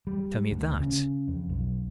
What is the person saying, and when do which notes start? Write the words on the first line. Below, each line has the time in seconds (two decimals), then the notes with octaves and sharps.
Tell me that.
0.07 G3
0.51 D2
0.80 C#3
1.28 F2
1.49 B1